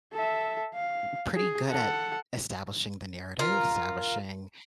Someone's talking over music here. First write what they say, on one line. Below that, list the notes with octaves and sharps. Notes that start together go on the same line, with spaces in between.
m pretty good at establishing the narrative, establishing,
A4 E5
F5
G#4
A4 F#5
F4 A#4